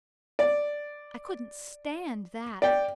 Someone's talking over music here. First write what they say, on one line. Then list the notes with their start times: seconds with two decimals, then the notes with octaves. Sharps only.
I couldn't stand that.
0.39 D5
2.62 D5 G5